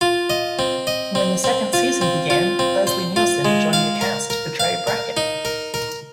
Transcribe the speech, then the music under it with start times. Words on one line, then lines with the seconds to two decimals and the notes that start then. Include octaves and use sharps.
When the second season began, Leslie Nielsen joined the cast to portray Bracken.
0.01 F4
0.30 D#5
0.59 C4
0.87 D#5
1.15 C4
1.44 C4
1.73 F4
2.01 C4
2.30 F4
2.59 C4
2.87 C5
3.16 F4
3.45 G#3
3.73 F5
4.01 A#4
4.30 A#4
4.60 F5
4.87 A#4
5.17 D#4
5.45 A#4
5.74 A#4